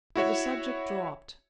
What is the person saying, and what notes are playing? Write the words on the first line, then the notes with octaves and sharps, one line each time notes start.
But the subject dropped.
E4 F#4 C#5 E5